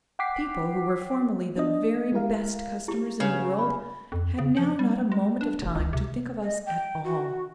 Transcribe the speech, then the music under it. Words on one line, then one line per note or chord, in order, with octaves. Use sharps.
People who were formerly, the very best customers in the world, had now not a moment of time to think of us at all.
F#5 G5 D6 B6 C7
B3 D4 D#5
G#3 E4 G4 A#4 F5
E4 G4
C#3 B4 C#5
B5
F2
C#3
F3
G3
G#3
D4
F1
C#2
C3
D#5
G5
F#4